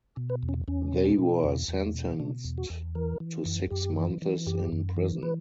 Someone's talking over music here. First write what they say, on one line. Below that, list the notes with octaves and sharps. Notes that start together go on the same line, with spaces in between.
They were sentenced to six months in prison.
B2
B4
E2
C#4
E2 C#4
B2
B2
E2
E2
B2
B2 D4
E2
F#4
E2
E3 A#4
E3
F#2
F#2 G4
E3
E3
F#2 G4
F#2
E3
E3 B4